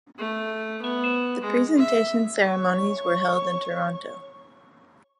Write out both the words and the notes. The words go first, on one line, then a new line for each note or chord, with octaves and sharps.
The presentation ceremonies were held in Toronto.
A3
B3
G#3
E5
C#5 C#6